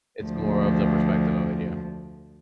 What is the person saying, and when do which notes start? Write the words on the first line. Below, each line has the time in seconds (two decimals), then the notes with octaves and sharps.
It's more of the perspective of it, yeah.
0.24 D2 F3